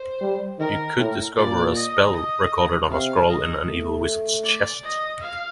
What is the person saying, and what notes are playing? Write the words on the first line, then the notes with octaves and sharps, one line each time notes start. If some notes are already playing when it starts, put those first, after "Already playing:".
You could discover a spell recorded on a scroll in an evil wizard’s chest.
Already playing: C5
G3
D#3 A#4
A2
A#2 D5
D#5
D#5
C3 F5
D#5
A3
D5
D#5
F5